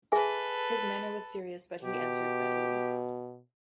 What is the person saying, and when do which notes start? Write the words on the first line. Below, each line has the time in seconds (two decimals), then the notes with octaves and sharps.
His manner was serious, but he answered readily.
0.12 G#4 A4 B4 E5 G#5
1.84 B2 G4